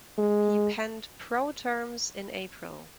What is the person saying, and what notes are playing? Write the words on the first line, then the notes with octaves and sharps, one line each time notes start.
He penned pro terms in April.
G#3